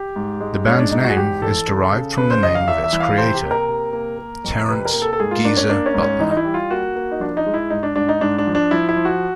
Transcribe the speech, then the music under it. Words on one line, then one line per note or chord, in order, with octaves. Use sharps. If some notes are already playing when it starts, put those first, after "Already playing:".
The band's name is derived from the name of its creator: Terence "Geezer" Butler.
Already playing: G4
G#2
G#3
G#2 C#4
D4
G#2 D#4
F#4
G#4
E2 G4
E3 A4
C#3
C#3
C#3 B4
C5
E2 D#5
F5
E2 E5
E5
E3
F5
C3 C5
G4
A#3
A#4
C3
A#3
A#3
F2
C3 B4
A#4
A#3
A4
A4
G#2 G#4
F4
A#3 D4
C#4
A#3 D4
C#4
G#2
C#4
E3 D#4
D#4
E4
G3
F4
A#3 F#4
A#3
D#4
F3 D4
D#4
G#3
E4
G#2 D#4
D4
G#2 D4
D#4
G#2 D4
D4
F3
D4
F3 E4
E4
F3
F#4